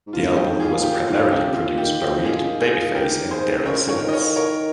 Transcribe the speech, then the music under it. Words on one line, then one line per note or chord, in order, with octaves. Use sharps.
The album was primarily produced by Reid, Babyface, and Daryl Simmons.
G#2
G2 F4
G4
G#2
F4 G#4
G#2
A#2 G4
A#2
G#2 F4
G2 G4
C3
A#2 F4
D#3 G4
F3 G4
D#3 F4 G#4
C#3
D#3
F4 G#4
G4 A#4
G#4 C5
C#3 A#4 C#5
F3 A#4 C#5
D#3
D#5
A#4 C#5
A#4 C#5